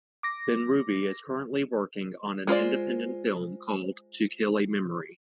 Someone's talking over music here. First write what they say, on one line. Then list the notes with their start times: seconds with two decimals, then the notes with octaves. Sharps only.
Benrubi is currently working on an independent film called "To Kill a Memory".
0.23 D6 A#6
2.47 G#3 F4 C5 D5